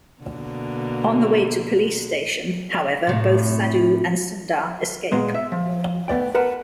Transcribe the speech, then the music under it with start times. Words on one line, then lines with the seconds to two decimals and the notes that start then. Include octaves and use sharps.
On the way to Police Station, however, both Sadhu and Sundar escape.
0.22 B2 D3 A#3
3.07 A2 C3
5.12 A#2 G#3 B3
5.34 E5
5.52 F3
6.08 A3 B3 D5 G5
6.34 A#4 B4 F#5 A5 B5